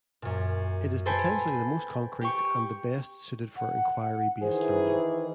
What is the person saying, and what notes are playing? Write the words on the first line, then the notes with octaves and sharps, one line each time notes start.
It is potentially the most concrete and the best suited for inquiry-based learning.
F#2 A#2
A4 B4 C5 G5 G#5 B5
G4 G5 C#6
F#5
D#3 E3 G#4 C5